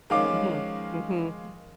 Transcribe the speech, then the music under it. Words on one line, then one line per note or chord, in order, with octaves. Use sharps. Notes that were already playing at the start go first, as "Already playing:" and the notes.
Mhm. Mhm. Mm.
D#3 F3 G#3 C#4 D#4 F5 D6